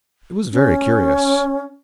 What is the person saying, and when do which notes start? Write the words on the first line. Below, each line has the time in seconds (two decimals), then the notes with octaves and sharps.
It was very curious.
0.52 C#4